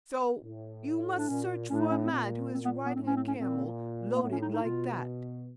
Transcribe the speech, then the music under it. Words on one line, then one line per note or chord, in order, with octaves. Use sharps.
So you must search for a man who is riding a camel loaded like that.
A2
D4
A#2 C#4
A2 C#4
D4
D#4
C#4
C4
A#2
A#2 C4
B3
B3
A2 C4
C#4
C4
C#4
A#2 C4
A#3
A2 B3
C#4
D#4
D#4
B2 F4